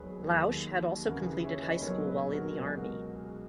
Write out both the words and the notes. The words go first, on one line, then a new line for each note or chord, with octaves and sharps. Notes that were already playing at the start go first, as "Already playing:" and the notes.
Lausche had also completed high school while in the Army.
Already playing: E1 D#2 D#3 F#3 G#4 A#4 B4 C#5
G#4
D#2 D#3 F#3 G#4
D#2 C#3 E3 F#4 A#4
G#4 B4
C#5 E5
B4 D#5
B1 A#2 F#3 A#4 C#5
G#4 B4
F#4 A#4
C#2 B2 F#3 G#4
F#4 A#4
G#4